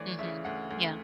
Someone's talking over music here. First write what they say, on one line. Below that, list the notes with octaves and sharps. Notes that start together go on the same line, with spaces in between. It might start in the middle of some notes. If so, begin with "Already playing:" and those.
Mhm. Yeah.
Already playing: D2 E3 C#5 D5
C#3 E5
D2 F#5
D2